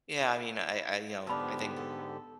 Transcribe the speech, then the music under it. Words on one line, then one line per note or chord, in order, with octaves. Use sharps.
yeah. I mean, I I, um, I think
E4
G#2 D3 F3 B3 D4 G4 B5 E6
A4